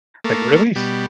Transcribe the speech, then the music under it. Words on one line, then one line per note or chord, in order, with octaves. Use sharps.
like, really?
A3 A#3
B2 G3